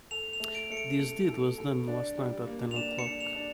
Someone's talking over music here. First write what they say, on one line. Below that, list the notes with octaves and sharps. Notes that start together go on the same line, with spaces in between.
This deed was done last night at ten o'clock.
A4 F7
F7
A3
D7
A3 C#7
D7
A3
A4
A4
D4
G3
A#3
F7
D4 E7
C#7
D4
F7
D4